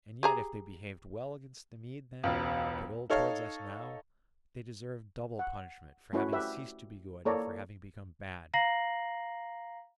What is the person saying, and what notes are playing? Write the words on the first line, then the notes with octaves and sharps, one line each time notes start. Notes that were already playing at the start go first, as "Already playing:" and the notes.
And yet if they behaved well against the Mede then, but ill towards us now, they deserve double punishment for having ceased to be good and for having become bad.
G4 G#4 A#5
E1 C#2
D#4 A4 C#5 F5
F#5
A3 C#4 E4 F#4 B4 C#5
G4 B4 E5
A#3 E4 A4 C#5 D5 A#5
F5 A#5 A#6 C7 F#7